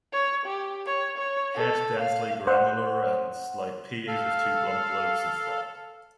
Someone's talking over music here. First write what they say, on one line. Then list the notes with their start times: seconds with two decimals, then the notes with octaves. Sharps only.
Head densely granular and clypeus with two blunt lobes in front.
0.13 C#5
0.46 G4
0.86 C#5
1.18 C#5
1.55 A4
2.00 F5
2.47 C5 F#5
4.08 A4 F5